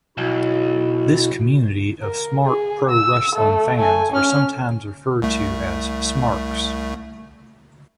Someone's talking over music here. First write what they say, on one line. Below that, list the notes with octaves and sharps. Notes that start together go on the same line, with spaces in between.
This community of "smart" pro-wrestling fans are sometimes referred to as "smarks".
B1 E4 F#4
A#4
G#4
E6
A3
A3 G#5
C#4 F6
C2 A3